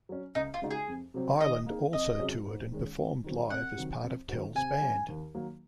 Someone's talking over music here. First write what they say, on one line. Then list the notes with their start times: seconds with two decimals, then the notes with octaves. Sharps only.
Ireland also toured and performed live as part of Tell's band.
0.09 F#3 C#4
0.35 C#2 D#4
0.54 F4
0.62 C#3 G#3 D#4 F#4
0.71 G#4
0.88 F2
1.14 C3 F#3 C4
1.40 D#3 D#5
1.66 A#3 D#4 G#4
1.93 F2 D#5
2.19 C3 F#3 C#4 G#4
2.46 G#2
2.72 D#3 G#3 C#4
2.98 F2
3.24 D#3 F#3 C4
3.50 C2 F#5
3.76 C3 D#3 F#3
4.03 F2
4.29 D#3 F#3 C4 F#4
4.55 C3 G#5
4.81 F#3 C#4 F#4
5.08 D#2
5.34 D#3 F#3 A#3